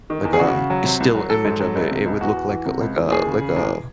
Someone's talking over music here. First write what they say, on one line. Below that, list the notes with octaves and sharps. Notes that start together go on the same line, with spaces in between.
like, um, still image of it, it would look like a like a like a
D#3
E2
G#4
C#3 F#4
C#3
F#3
C3
C2
F#3
F#3 A4
G#2
F#3
C#2
C3
C#2
E2 F#4
E2
E3
C3
C#2
E3
D#2 G#4
C#3
C#3
E2